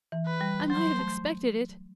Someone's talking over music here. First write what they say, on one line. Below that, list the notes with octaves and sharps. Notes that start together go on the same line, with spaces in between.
I might have expected it.
E3
B4
G3
F#3 C5
A3